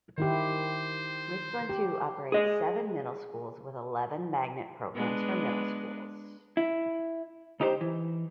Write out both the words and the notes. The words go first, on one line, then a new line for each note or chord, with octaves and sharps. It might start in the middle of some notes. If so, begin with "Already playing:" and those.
Richland Two operates seven middle schools, with eleven magnet programs for middle schools.
D#3 E4 G4 C5
G4
G#4 D#5
G#3 B3 D4
E4
C#2 D#4 G4 B4 C5
E3